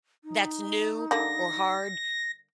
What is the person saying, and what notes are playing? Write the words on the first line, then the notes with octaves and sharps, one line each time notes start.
"that's new or hard,
D#4
D3 G3 A#3 A#6